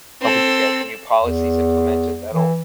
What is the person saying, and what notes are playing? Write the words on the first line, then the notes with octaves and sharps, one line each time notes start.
hoping to get new policies implemented that'll
C4 A4
E2
E3